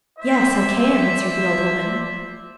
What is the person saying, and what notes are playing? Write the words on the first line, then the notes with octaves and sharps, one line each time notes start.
'Yes, I can,' answered the old woman.
E4 C5 D5 E5